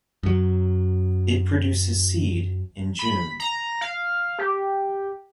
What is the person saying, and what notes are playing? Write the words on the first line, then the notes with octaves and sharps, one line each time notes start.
It produces seed in June.
F#2 F#3
B5
A#5
F5
G4